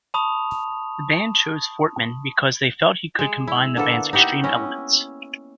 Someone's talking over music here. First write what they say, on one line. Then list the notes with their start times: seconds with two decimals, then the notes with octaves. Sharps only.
The band chose Fortman because they felt he could combine the band's extreme elements.
0.14 A5 B5 C#6 D#6 F7
3.19 G#3
3.47 E4
3.77 D3 A#3 B3 A4
4.13 D#4 E4 G4 F#5
4.44 C#4 E4 D#5